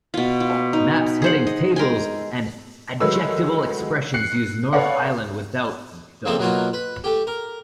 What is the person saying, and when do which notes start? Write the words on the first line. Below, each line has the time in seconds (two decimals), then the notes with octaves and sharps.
Maps, headings, tables and adjectival expressions use North Island without "the".
0.14 B2 F4
0.40 F4
0.73 D#4
1.22 G#4 C5 F#5
1.47 D#5
1.76 G#3 A#4 G5 G#5
3.00 D#3 F#3 G#3 A3 B4 E6
4.14 F#6 C7 C#7
4.73 A4 B4 C#5 D5 F5 F#5
6.25 C#3 F3 A#3 C4 A4
6.39 B2 F#3 A#3 F4 F#4
6.73 B4
7.04 A3 G4
7.27 A#4